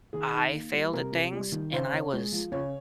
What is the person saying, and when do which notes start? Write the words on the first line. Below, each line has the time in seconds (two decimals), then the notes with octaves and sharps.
I failed at things, and I was
0.13 D#3 G#4
0.33 D#4
0.52 A#3
0.73 G3
0.93 C3 A#4
1.12 C3
1.33 G3
1.52 D#3
1.72 C#3 C5
1.93 C#4
2.13 G#3
2.32 F3
2.52 C#3 C#5